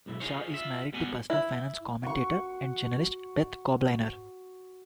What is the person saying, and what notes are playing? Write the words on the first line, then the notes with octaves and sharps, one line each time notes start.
Shaw is married to personal finance commentator and journalist Beth Kobliner.
B1 G#2 E4
D#4 F4 G#4 C5 C#5
F4 E5
G#2 G3 B3 F#4 F#5 G#5
E4
F#4 C#6